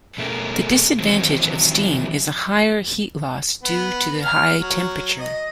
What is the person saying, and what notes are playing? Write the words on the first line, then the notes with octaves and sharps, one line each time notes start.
The disadvantage of steam is a higher heat loss due to the high temperature.
B2 A3 B3 C#4 G#4 A#4
D#3 E3 F#3 C4
B3
F6
F#3
D#5